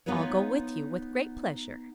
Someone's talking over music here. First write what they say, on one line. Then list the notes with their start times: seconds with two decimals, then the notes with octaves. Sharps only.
I'll go with you, with great pleasure.
0.06 B3 D#4 F4 B4 C#5